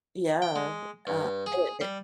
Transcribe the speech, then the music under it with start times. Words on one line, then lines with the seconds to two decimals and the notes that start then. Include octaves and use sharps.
yeah, uh, it it
0.42 G5
0.56 G#3
1.07 G2
1.46 G#4
1.81 G3